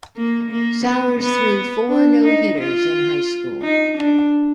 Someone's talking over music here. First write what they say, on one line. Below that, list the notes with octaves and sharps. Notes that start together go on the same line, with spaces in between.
Sowers threw four no-hitters in high school.
A#3
A#3
B3
B3
D4
D#4
F4
D#4
D4